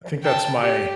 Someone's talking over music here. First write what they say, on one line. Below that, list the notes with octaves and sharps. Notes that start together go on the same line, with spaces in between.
I think that's my
G5 A5
G4